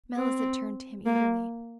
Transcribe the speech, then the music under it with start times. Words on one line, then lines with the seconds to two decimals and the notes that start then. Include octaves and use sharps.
Mellicent turned to him eagerly.
0.17 C4
1.06 A#3